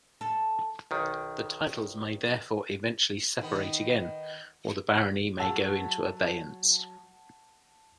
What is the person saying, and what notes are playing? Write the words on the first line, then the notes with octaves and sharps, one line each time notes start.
The titles may therefore eventually separate again, or the barony may go into abeyance.
A4
B1 D#3
D#3 B3
F#3 G#4 F#5 A5 E6